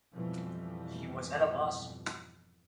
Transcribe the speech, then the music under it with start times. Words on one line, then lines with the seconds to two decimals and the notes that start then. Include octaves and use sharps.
He was at a loss.
0.13 F2 G#2 B2 E3 F3 G3